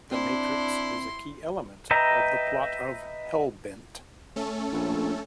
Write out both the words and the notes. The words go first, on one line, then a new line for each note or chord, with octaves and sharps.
The Matrix is a key element of the plot of "Hell Bent".
C4 D4 E4 C6
B4 D#5 E5 G5 A#5
A3 C#4 A4
A#1